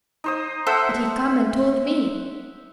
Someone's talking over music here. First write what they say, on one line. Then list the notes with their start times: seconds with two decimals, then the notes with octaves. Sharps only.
But he come and told me.
0.24 D#4 C5 D#6
0.67 A4 C5 E5 F#5 E6